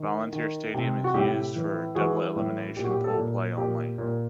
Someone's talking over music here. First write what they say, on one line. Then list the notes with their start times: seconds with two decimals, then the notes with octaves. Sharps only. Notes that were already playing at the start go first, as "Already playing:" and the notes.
Volunteer Stadium is used for double-elimination pool play only.
Already playing: D#3
0.33 D#3
0.74 C3
1.04 F#4
1.14 A2 G4
1.56 E3
1.95 E3 F#4 G#4
2.36 A2
2.76 A#2 G4
2.84 F#4
2.91 G4
3.04 G4 A4
3.17 A#2
3.57 A#2 G4
3.98 A#2